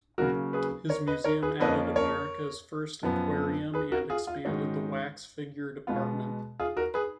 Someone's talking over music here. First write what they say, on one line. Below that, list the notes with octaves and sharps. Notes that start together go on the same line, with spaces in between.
His museum added America's first aquarium and expanded the wax-figure department.
C#3 F#3 A#3 F#4 A#4
G#4 B4
A#4 C#5
B4 D#5
A#4 C#5
G#4 B4
F2 F3 A#3 C#4 B4 D#5
A#4 C#5
F#2 F3 B3
G#4 B4
F#4 A#4
F4 G#4
F4
G#2 D#3 G#3 C#4 D#4 F#4
B2 G#3 B3 F4
F4 G#4
F#4 A#4
G#4 B4